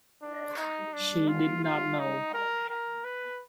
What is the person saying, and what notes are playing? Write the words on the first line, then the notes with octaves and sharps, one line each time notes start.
She did not know.
D4
D#4
D4
F4
F4
D#4
A#4
A#4
B4